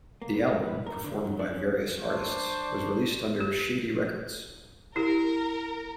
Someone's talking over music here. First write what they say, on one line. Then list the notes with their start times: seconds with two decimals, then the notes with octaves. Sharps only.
The album, performed by various artists, was released under Shady Records.
0.22 A#3
0.34 B3
0.53 G#2
0.67 B4
0.86 A#4
1.04 D3
1.24 F#3
1.39 D4
1.54 C#4
2.00 D4 C5 D5 C#6
3.41 G4
4.96 E4 G4 A#4